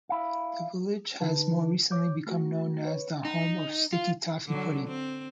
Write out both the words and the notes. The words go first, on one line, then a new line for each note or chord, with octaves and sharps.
The village has more recently become known as the "home of sticky toffee pudding".
E4 F5
D3 D#4 B4 A5
C#5 D6 G6
A3 F#4
B4 C#5
D#4
F4
D3 F#3
C4